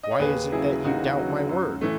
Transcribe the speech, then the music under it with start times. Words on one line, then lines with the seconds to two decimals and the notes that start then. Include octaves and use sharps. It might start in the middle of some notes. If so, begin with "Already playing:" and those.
"Why is it that you doubt my word?"
0.03 D#5
0.11 C#5
0.19 D#2 G#4 B4
0.52 C#3 F#3 E4 G#4
0.84 D#2 D#4 F#4
1.16 C#3 F#3
1.49 F#2
1.81 E3 A3